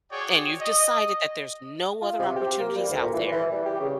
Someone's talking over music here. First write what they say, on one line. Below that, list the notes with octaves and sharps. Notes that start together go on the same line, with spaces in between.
and you've decided that there's no other opportunities out there
F#4 G#4 C#5 D5 G5
D#5
F4
C3
G4
A#3
G3
D2
A#2
E3
E3
G3
G4
C#3